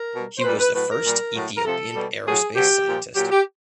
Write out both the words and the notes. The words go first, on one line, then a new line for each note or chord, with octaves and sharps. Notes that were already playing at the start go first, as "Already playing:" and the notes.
He was the first Ethiopian Aerospace scientist.
Already playing: A#4
B2 G3
C5
A#2 G3 B4
B4
A2 F#3 B4
A#4
A#2 G3
A2 F#3
A#4
C3 F3 A4
B2 G3
A2 F#3 G#4
B2 F#3 G4
A#2 F3
A#2 F#3 G4
G4